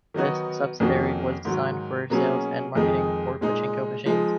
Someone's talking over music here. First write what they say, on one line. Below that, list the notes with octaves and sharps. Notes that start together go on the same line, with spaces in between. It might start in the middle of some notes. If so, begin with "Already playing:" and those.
This subsidiary was designed for sales and marketing for Pachinko machines.
D#3 F#3 B3 D#4 F#4
F2 D#3 A#3 C#4 F#4
G#2 D#3 F#3
B2 F#3 A#3 C#4 G#4
F2 D#3 G#3 D#4 G#4
A#2 G#3 D#4
F3 G#3 D#4